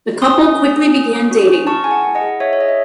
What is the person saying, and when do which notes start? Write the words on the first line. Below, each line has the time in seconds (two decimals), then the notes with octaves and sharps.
The couple quickly began dating.
0.22 C#4 C6 D#6
0.40 C#4
0.59 C#4
0.77 C#4
0.95 C#4
1.13 C#4
1.31 F#4
1.50 C#4
1.67 E4 A5 C#6
1.84 G#4 G#5
1.91 F#5 A5
2.03 E4
2.15 D#5 F#5
2.21 G#4
2.40 E4 C#5 E5
2.53 C#5
2.58 G#4 D#5
2.69 E5